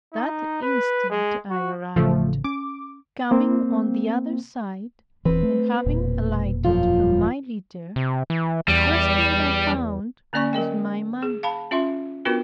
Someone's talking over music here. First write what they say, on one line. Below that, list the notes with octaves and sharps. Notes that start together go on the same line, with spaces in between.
That instant I arrived, coming on the other side, and having alighted from my litter, the first thing I found was my money.
D#4
B4
G#3
F#4
A1 C#3 F3 A3
C#4 D6
A#3 C4
D#1 E3 C4 B4
A3
E1 A#2
F#2 F3 F4
C3
E3
E2 G3
D3 A#3 C#4 D5 G#5 C#6
F#3 A#4 D#5 G5
G#4
F5 A5 B5
C#4 F4 E5 C6
B3 D4 F4 F#4 A#4 B4